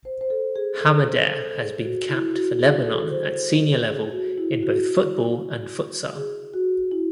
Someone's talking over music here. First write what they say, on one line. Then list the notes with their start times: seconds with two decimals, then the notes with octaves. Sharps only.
Hamadeh has been capped for Lebanon at senior level in both football and futsal.
0.05 C5
0.21 C5
0.30 A4
0.56 G#4
0.81 A4
1.06 C5
1.32 A4
1.46 A4
1.58 G#4
1.83 F#4
2.08 E4
2.34 F#4
2.59 G#4
2.84 A4
3.10 C5
3.36 C5
3.61 A4
3.87 G#4
4.12 F#4
4.38 E4
4.63 F#4
6.15 G#4
6.54 F#4
6.92 E4